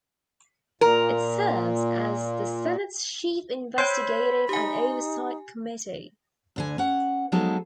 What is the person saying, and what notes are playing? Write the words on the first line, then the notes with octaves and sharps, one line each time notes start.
It serves as the Senate's chief investigative and oversight committee.
A#2 A#4
C5 C#5 G5 B5 E6 G#6
D#4 G4 G#5
D2 D3 G#5
C#4 F#5
F3 F#3 G#3 B3 D#4 A4